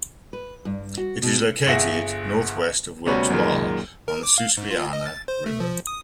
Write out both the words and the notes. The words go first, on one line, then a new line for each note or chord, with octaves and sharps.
It is located northwest of Wilkes-Barre, on the Susquehanna River.
B4
G2
F#4
B2
G1 G#4 E5 F#5 A#6
D2 C3 G3 B3 C#4 F#4
F#2 A#2 D#3 G#3
A#4
D6
F5
G#2
F4
D#5
A6
C5
A3
F3
D#6